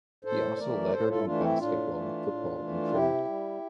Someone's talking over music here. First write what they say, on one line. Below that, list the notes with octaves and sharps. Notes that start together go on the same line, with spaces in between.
He also lettered in basketball, football and track.
A2 A4 C5
E3 A3 A#4 D5
A2 A4 C5
F4 A4
E4
E3 A3 D4 F4
C4 E4
A2 D4 F4
E3 A3
A2
E3 A3
C3 E4 G4
G3